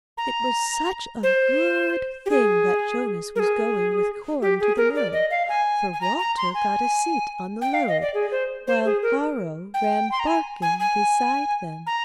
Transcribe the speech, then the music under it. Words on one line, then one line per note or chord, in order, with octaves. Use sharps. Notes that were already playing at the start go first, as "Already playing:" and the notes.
It was such a good thing that Jonas was going with corn to the mill, for Walter got a seat on the load, while Caro ran barking beside them.
A#5
C5
G4
G#4
A#4
G#4
G4
G#4
A#4
D5
D#5
F5
G#5
G#5
A#5
A#5
C6
G#5
G5
F5
D#5
D5
G#4
C5
C5
G#4
A#4
G5
C6
A#5
G#5
G#5
G#5
A#5